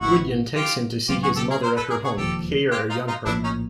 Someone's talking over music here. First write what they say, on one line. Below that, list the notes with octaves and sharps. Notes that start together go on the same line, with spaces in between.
Gwydion takes him to see his mother at her home, Caer Arianrhod.
A1 A2 E3 E4 F#4
F4 G4
C#2 C#3 F#3 B3 F4 G4
F#4 G#4
G4 A4
G#4 A#4
A#4 C5
A4 B4
G#4 A#4
F#4 G#4
E1 D#2 C#3 F3 G4 A4
F4 G4
D#4 F4
D#4 F4
A#1 A2 F3 A#3 D4 E4
C#4 D#4